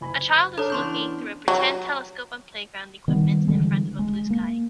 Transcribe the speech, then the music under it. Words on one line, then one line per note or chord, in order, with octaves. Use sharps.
A child is looking through a pretend telescope on playground equipment in front of a blue sky.
F#1 G#5 B5
D4 A4 C#5 A#5 D#6 F6
E3 B3 C#4 C6 C#6 G6
F#3
D#3 G3 B3
D3 E3 G3 G#3
G#3
A#3